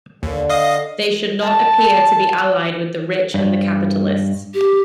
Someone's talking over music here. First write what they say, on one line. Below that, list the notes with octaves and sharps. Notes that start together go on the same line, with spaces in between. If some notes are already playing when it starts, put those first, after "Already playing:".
They should not appear "to be allied with the rich and the capitalists".
D#2 D3
D#5 F5 D#6
A5
G2
G4